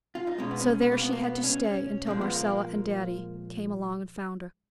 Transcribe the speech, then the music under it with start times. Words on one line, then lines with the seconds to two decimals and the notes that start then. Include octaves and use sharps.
So there she had to stay until Marcella and Daddy came along and found her.
0.15 F4
0.27 D#4
0.38 B2 G#3 C#4
0.51 B3
0.60 C#4
0.81 B3
0.92 A#3
1.02 B3
1.13 A#3
1.23 B3
1.44 C#4
1.65 C#4
2.07 A#2 F3 G#3 A#3
2.21 B3
2.35 A#3